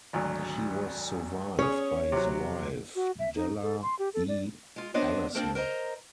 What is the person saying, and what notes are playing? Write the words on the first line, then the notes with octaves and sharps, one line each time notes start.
He was survived by his wife, Della E. Allison.
G#1 D2 F#3
C#4 G#4 C#5
C3 F#3
F#4
E5
D#4
A4
C6
G4
A4
D5
G#3 F4
B3 C4 D4 C5 C#5 D#5
A#3 C4 D4 A4 A#4 C5
A#4 C5 D#5 A#5